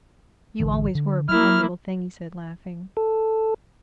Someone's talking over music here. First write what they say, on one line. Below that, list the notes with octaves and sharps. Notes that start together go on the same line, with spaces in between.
"You always were a proud little thing," he said laughing.
A1 D3 E3
D3
F#3 A#3 E4 F6
A4